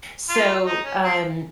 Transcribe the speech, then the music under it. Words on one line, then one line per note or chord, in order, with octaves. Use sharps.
So, um,
F4
D#4
C#4
C4